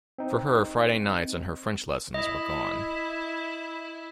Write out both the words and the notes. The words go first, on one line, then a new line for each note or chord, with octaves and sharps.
For her Friday nights and her French lessons were gone.
C4 D#4
E4 D#5